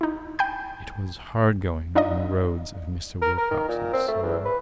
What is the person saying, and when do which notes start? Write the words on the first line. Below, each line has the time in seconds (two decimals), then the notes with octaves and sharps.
It was hard-going in the roads of Mr. Wilcox's soul.
0.01 D#4 E4
0.39 G5 G#5 B5 G6
1.95 D4 D#4 F4 D5 D#5
3.22 A#4
3.37 A#4
3.51 D#3
3.69 A#2
3.93 C4
4.08 A3
4.23 E2
4.45 B4